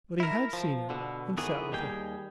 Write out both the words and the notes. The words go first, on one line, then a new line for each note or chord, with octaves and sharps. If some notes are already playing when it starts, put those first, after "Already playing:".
But he had seen her, and sat with her.
E4 A#4
F3
B2 D3
F2 D#3 E3 B3 G#4
D#2 G3 D#4 G#4 G5